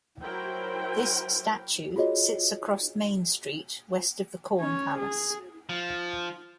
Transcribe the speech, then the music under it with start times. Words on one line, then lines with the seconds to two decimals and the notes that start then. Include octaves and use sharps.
This statue sits across Main Street, west of the Corn Palace.
0.22 F#3 E4 A#4 C5 G5
1.96 F4 F#4 G#4 C#5 D#5
4.59 C#4 C#5
4.99 G#4
5.69 F3